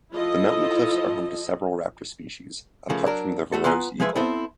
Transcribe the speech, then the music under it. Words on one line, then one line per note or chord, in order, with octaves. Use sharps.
The mountain cliffs are home to several raptors species, apart from the Verreaux's eagle.
F3 E4 F4 A4 D#5
C#3 F3 A3 A#3
F#3 D4 A#4
A3 F#4 A4
B3 F4 B4 G#5 A#5
F3 G#3 G#4 B4 E5
B3 C4 E4 A4 C5